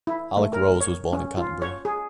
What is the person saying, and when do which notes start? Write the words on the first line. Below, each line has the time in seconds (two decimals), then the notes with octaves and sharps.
Alec Rose was born in Canterbury.
0.07 E4
0.37 A3
0.53 A#4
0.81 C#5
1.13 C#4
1.38 F4
1.62 C#5
1.85 G#4